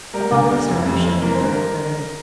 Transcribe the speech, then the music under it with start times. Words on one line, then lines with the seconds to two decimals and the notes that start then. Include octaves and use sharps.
A falling star shone in the dark firmament.
0.14 G3 A#4
0.32 D2
0.50 G3
0.69 F2
0.86 F2
1.04 F2
1.22 E3 A#4
1.34 C5
1.40 G2
1.48 A#4